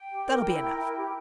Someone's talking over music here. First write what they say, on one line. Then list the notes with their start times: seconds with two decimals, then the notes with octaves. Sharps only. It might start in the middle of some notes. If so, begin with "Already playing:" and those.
"That'll be enough."
Already playing: G5
0.09 G4
0.27 A#4
0.44 E4
0.62 A#4
0.79 E4
0.97 G4